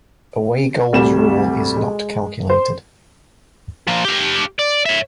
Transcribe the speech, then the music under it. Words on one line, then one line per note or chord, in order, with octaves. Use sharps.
Away goals rule is not calculated.
D2 C3 G3 E7
G#3
C5
F3 A#3
G4 F5
D5
C#5 E5